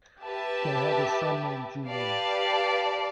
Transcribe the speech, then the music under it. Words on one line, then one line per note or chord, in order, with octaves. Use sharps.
They have a son named Julian.
G4 B4 E5 A5
G4 B4 D5 F5 A5